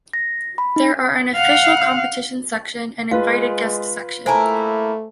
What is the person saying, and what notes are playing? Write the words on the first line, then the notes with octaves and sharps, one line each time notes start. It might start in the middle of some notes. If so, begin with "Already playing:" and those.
There are an official competition section and invited guest section.
A#6
B5
D#4
F5 F#5
G#3 F4 B4 F5
A3 A#3 E4 C5 G#5 A5